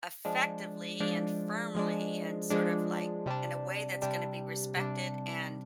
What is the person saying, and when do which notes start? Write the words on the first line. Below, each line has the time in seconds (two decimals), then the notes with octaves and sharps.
effectively and firmly, and sort of, like, in a way that's gonna be respected, and
0.25 F3 G#3 D4
1.00 F3 G#3 D4
1.75 F3 G#3 D4
2.50 F3 G#3 D4
3.26 C3 G3 D4
4.02 C3 G3 D4
4.76 C3 G3 D4